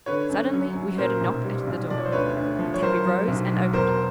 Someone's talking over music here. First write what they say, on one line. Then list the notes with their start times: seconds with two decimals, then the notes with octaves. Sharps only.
Suddenly we heard a knock at the door; Tabby rose and opened it.
0.06 D3 B4 C#5
0.29 F#2
0.53 F#3
0.76 F#2
0.98 A#2 A#4 C5
1.21 B1
1.44 G3
1.67 B1
1.90 F3 D5
1.98 C#5
2.05 C5
2.12 D2 B4 C#5
2.37 D2
2.59 F3
2.74 C#5
2.82 F#3 A#4 C5
3.05 F#3
3.28 B1
3.51 F#3
3.73 E1 A#4 C5